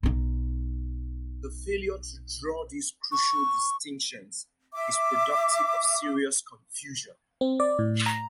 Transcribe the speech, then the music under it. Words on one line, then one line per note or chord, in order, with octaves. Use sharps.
The failure to draw these crucial distinctions is productive of serious confusion.
B1 D#4
C#6
E5 D6
C4
D5
A2
A#5